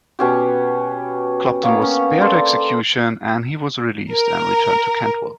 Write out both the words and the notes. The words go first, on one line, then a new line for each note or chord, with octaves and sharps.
Clopton was spared execution and he was released and returned to Kentwell.
B2 C#4 G4
A#3 B3 C#5
C#4
A4 C5 D5
A#4